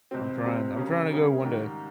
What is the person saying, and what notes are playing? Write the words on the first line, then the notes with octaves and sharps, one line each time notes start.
I'm trying I'm trying to go one day.
C#2 C3 G3 C4
C#2 C3 G3 C4
C#3 G3 A#3 C#4 G#4
C#3 G3 A#3 C#4 G#4
G#2 D#3 G3